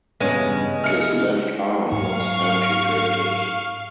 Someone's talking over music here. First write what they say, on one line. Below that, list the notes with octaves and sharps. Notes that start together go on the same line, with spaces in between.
His left arm was amputated.
E2 G2 C#3 G#3 B3 C#4
C#3 E5 F6 C#7
G#2 F#3 F5 C#6